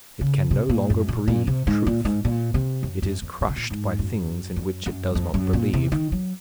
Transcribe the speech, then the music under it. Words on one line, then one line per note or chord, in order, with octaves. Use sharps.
It can no longer breathe Truth; it is crushed by things in which it does not believe.
C#3
C3
A#2
F#2
A#2
A#2
C3
G#2
A#2
G#2
A#2
C3
F#2
F#2
F2
A#2
C3
A#2
G#2
F#2
F#2
F#2
F2
F#2
A#2
C3
D#3
F#3